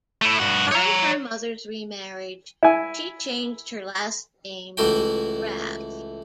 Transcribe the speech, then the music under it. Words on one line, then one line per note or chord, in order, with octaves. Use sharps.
Upon her mother's remarriage, she changed her last name to "Kraft".
A3 E4
G2 F#4
C#5 A#5
E4 G#5
C#2 E3 A3 F#4 G5